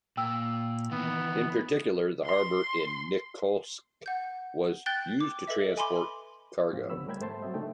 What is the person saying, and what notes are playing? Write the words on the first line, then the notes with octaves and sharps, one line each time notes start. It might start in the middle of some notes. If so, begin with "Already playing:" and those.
In particular, the harbor in Nikolsk was used to transport cargo.
A#2 G5 E6
D#3 E3 B3
C6
F#5 G6
G5 F#6 G6 A6 G7
D6
A4 B4 D#5 E5
G#5 B5 C6 D6
G#2 F3 C4 F4 G4
C#2 D3 B3 C#5 B5 E6
G3 A3 A#4 G5 B5 G#6
G#2 A3 C5 G5 A5 C6
F#3 A3 C4 G4 D#5 E5
C#3 A3 D4 D#4 G5